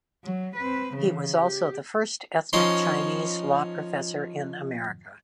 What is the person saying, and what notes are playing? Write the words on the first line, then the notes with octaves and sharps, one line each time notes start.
He was also the first ethnic Chinese law professor in America.
F#3
C4 B4
C#3 E3
G4
F3 C#4 D#4 C#5 C6